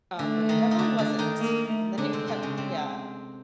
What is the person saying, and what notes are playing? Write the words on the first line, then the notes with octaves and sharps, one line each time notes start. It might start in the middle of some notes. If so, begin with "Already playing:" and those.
Um, but it definitely wasn't, and then it kept yeah,
D3 A3 D4
D#3 D#4
D#4
D3 D4
D3 D4
D#3 D#4
A#3
A3
D3 G#3 D4
C3 C4
C3 C4
C#3 C#4
C3 C4